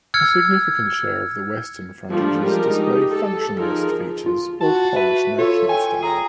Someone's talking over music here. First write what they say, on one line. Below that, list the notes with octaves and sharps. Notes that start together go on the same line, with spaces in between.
A significant share of the western frontages display functionalist features or Polish National style.
E6 F6 G#6 C#7
F3 G3 A3 A#3 D4
G#3 G4 A#4
D#4 G4
A4
F3 D#4 G#4 A#4
F4
F#4 A5
B4 E5
F4 A4 C#5
G5 G#5
G#4 A#5